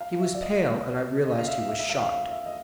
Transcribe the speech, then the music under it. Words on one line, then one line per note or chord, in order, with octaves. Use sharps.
He was pale, and I realized he was shocked.
F5
E5
D5
D#5
D5
D#5
F5
E5
E5
E5
F5
F5
F5
E5
D#5